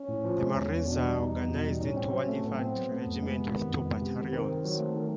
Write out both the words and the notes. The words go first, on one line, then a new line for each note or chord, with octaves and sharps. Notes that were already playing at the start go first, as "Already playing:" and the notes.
The marines are organized into one infantry regiment with two battalions.
Already playing: C#4
A2
F3
G#3
E2 C#4
E2
B2 D4
G3
E2 D#4
E2
B2
G3
A2 C#4
C4
F#3
A3
A2 B3
C4
F#3
A3
F2
G#3
C3
D#3
F2
G#3
C3
D#3
D#3 C4
D#3
F#3
A3
D#3